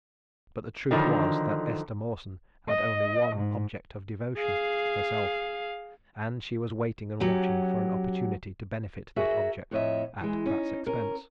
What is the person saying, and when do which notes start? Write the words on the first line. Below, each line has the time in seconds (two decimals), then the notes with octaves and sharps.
But the truth was that Esther Mawson had only one object of devotion--herself--and she was waiting and watching for an opportunity to benefit that object--at Pratt's expense.
0.91 D3 D#3 F3 F#3 D#4
2.68 D#5
3.36 G#2
4.38 G#4 F5
7.20 F#3 C#4 G4 F#5
9.16 F#4 G#4 A#4 E5
9.71 F2 A2 C#5 D#5 E5
10.21 E3 G#3
10.46 C#4 D#4
10.86 C#4 A#4